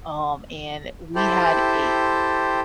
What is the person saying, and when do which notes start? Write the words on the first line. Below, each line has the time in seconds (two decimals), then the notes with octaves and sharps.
um, and we had a
1.16 E4 G4 A4 C5 G5